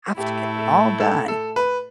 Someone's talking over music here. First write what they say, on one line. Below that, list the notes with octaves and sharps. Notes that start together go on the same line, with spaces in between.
I have to get them all done."
A2 A3 E4 G4
A4
A4
A4
B4